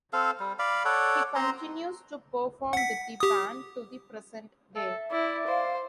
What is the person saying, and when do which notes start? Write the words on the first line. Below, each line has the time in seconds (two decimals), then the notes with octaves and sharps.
He continues to perform with the band to the present day.
0.13 C4 A4 F5
0.40 G3
0.59 D5 F5 B5
0.85 A4 C#5 D5 F#5
1.35 C4 A#5 C6
2.73 F#5 B6
3.20 G4 D#6
4.76 A4 E5
5.11 E4 D5
5.47 C5 F5